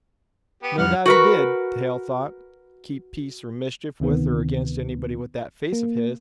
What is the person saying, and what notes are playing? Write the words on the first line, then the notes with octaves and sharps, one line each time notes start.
No doubt he did, Hale thought, keep peace or mischief with or against anybody with that face of his.
B3 G4
F2 G#2 G3 F#5 F6
F#4 A#4 B4
D2 C3 D#3 B3
A#3